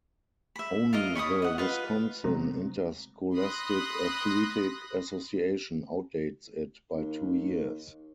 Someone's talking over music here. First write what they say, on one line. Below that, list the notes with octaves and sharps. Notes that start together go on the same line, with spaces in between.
Only the Wisconsin Interscholastic Athletic Association outdates it, by two years.
E5 B5
F4 A#4 D#5
C#5 B5 C6 D#6
D#5 F#5
F4 B4
C3 F#3 G#3 A3 C4 A#5
B5 C6 D#6 F#6 A#6
D#2